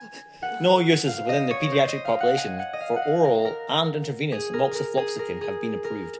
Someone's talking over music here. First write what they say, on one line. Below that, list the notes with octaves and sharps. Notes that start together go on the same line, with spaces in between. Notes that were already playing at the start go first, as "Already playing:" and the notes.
No uses within the pediatric population for oral and intravenous moxifloxacin have been approved.
Already playing: G#5
F#5
F5
D#5
C#5
C5
D#5
F5
F#5
G#5
F#5
D#5
F5
F#5
F5
A#4
A#4
G#4
A#4
A#4
G#4
A#4
G#4
A#4